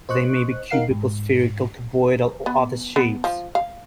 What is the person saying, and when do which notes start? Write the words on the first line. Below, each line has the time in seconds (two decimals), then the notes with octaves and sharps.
They may be cubical, spherical, cuboidal, or other shapes.
0.09 C5 D#5 C#6 F#6
0.70 D#4 A#4 F5 F#5 C7
0.91 G#2
2.46 B3
2.96 B3
3.24 F3
3.55 F5